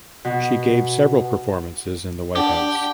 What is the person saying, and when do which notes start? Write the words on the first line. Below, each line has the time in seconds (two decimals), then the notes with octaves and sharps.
She gave several performances in The White House.
0.25 B2
2.35 D4 G4 F#5 G5 A5